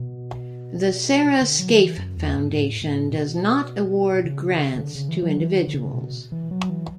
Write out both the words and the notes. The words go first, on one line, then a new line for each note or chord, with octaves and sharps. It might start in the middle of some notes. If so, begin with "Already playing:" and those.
The Sarah Scaife Foundation does not award grants to individuals.
Already playing: B2
D3
F#3
D3
E3
F#2
E2
G#2
A2
A2
B2
C#3
C#3
D3
C#3
E3
F#3
E3
D3
D3
C#3
B2
E3
F#3
E3